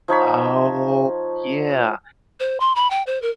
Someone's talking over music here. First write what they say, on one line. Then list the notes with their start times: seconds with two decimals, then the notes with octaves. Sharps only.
Oh, yeah.
0.08 F3 D#4 C#5 B5
2.40 C5
2.60 C6
2.76 B5
2.90 G5
3.07 C5
3.22 A#4